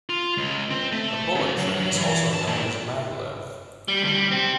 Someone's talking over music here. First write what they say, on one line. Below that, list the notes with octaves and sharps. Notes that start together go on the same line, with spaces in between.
A bullet train is also known as a maglev.
F4
C#2
C4
A3
C#3
F#3
F#3
E3
A5
A#2
G3
D2 G3
C4 G4